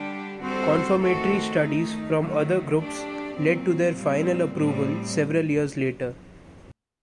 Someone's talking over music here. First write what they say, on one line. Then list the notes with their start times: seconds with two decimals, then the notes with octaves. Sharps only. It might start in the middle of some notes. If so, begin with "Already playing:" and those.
Confirmatory studies from other groups led to their final approval several years later.
Already playing: D3 G3 D4 G4
0.40 G3 C4 F#4 A4 C5
1.00 D#3 A3 C4 F#4 A4
1.59 D#3 A3 D#4
2.19 D#3 F#3 A3
2.77 A3 D4 G4 D5
3.37 A#2 F#3 C4
3.97 A#2 G3 C4
4.56 A2 G3 C4